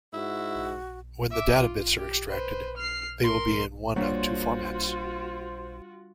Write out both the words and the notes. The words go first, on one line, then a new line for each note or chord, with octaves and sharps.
When the data bits are extracted they will be in one of two formats.
G#2 E4 F#4
E5 D6
F4
G4
B4 C5
F6 C7
A#4 C6
G3 A#3 D4 F4 F#4 C5 C#5 F#5